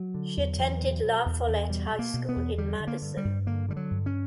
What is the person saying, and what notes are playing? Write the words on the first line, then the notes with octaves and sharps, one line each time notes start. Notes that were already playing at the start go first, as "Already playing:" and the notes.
She attended La Follette High School in Madison.
Already playing: F#3
D3
E2
E2
B2
B2
E2
E2
B2 G3
B2
A#3
B2
B3
E2
D3 G3
D3
A#3
G2
G3
G2
D3 A#3
D3 G3
F#3
G2
C#4